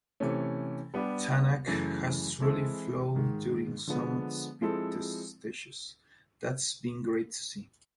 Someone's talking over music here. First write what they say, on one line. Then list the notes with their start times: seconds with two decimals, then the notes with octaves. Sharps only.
Tänak has truly flown during some of the speed test stages, that’s been great to see.
0.20 C3 E3 A3 C#4
0.94 G3 B3 D4 G4
1.67 F#2 C#3 E3 A3
2.40 E3 G#3 C4 E4 A4
3.15 G#2 D#3 G#3
3.87 D3 F3 G#3 B3
4.62 F3 G#3 C4 E4 A4